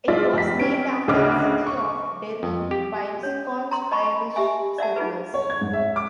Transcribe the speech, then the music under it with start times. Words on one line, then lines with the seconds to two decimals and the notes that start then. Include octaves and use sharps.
It was named after the city of Derry by Scotch-Irish settlers.
0.08 G#3 F4 D5 E5
0.33 F1 B6
0.59 C4 C#4 D7
1.08 D2 C#3 D4 D#5 D6 F6
1.67 C#6
2.43 F2
2.71 G4
3.23 C#4 C#5
3.71 A#5 C6
3.91 D#5 A5 B5 C#6
4.36 G4 E5 G#5
4.78 D5 E5 F#5 A5
4.96 D#4 F4 G#4 B4
5.34 C#5
5.50 G#6
5.61 G#2
5.73 E5
5.96 D6